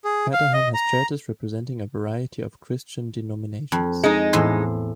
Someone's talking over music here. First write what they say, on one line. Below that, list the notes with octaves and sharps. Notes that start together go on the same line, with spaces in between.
Caterham has churches representing a variety of Christian denominations.
G#4
F5
D#5
A#5
F2
G#3 D#4
E2 A2 C5